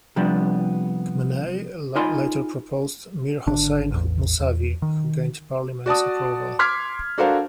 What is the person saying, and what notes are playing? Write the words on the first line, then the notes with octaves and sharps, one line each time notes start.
Khamenei later proposed Mir-Hossein Mousavi, who gained Parliament's approval.
C3 F3 G3 B3 D4
D#4 F4 A#4 G#5 B5 C6
G#1 D3 D4
A1 E2
E2
D#3
F#4 D5 A5 D#6
C6 D6 F6 G#6 B6
D4 F#4 A4 A#4 C5 F5